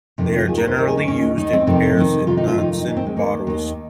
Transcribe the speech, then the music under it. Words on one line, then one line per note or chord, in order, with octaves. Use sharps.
They are generally used in pairs in Nansen bottles.
F2 C3 D#3
F4
D#2 D#3 G#4
A#4
C5
D#2 D#3 A#4
G#4
C#4
D#2 D#3 C#4
D#2 D#3 D#4
C4
F2 C3 D#3
F2 C3 D#3
F2 C3 D#3 F4
D#4
F4
F2 C3 D#3 D#4
D#4
D#2 D#3 C#4
C4
G#3
D#2 D#3 A#3
D#2 D#3